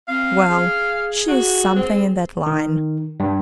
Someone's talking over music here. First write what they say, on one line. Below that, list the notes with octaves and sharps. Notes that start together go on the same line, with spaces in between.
Well, she's something in that line.
C4 F5
G#4
F#4
C4
D#3
G2